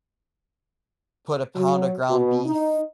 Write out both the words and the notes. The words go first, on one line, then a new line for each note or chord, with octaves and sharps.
put a pound of ground beef
F#3
B2
D#4